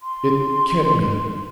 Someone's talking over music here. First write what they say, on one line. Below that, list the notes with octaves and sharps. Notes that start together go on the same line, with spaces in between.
It can't be.
C6